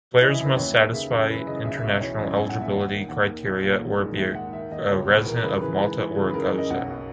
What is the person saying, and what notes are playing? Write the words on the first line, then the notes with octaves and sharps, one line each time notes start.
Players must satisfy international eligibility criteria or be a resident of Malta or Gozo.
E3 D#5
E5
F#2
B4
D#2 C#5
D#3
C#3 E5
F#2 E5
E3 B4
C#3 D#5
B1 E5
E5
B2
D#5
E3 C#5
F#2 D#5
B1 G#5
F#5
A#2
E5
D#2 F#5
D#3
D#2 F#5
D#3
B1
A#2
D#3
G#2
D#2 E5
D#3 F#5
D#3 E5
D#2 D#5
C#2 C#5
B2 B4
E3 A#4
C#3 B4
E3 B4
G#2
E3
C#3
B4
C#3 A#4
A#4
F#2
D#5
B1 F#5
B2